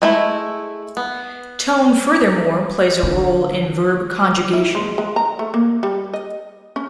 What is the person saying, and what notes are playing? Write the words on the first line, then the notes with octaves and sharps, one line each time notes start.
Tone furthermore plays a role in verb conjugation.
G#3 A3 E4
B3
D3
E4
G#3
G#3
A#5
A3
A#3
G3
D#5
C#4